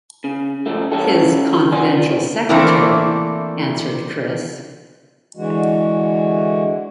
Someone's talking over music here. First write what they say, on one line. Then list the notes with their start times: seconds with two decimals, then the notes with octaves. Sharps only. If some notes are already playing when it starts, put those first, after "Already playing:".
"His confidential secretary," answered Chris.
0.24 C#3
0.66 C#3 F3 A3
0.92 C#4 G4 A4
1.72 C#4 D5 G#5 C6
1.97 F4
2.49 E3 A3 A#3 C4 D4 E4
5.37 D3 E3 G#3 F#4